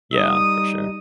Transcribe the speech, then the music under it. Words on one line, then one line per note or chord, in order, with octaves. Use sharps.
Yeah, for sure.
G3 D#4 D#6